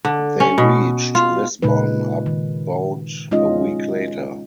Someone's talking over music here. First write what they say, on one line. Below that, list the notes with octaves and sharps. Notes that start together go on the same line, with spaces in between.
They reached Lisbon about a week later.
D3
C#4
B2
F4
A#2 C#3 G#3 D#4 B4
D#3
G#3 C#4 D#4 F4 D#5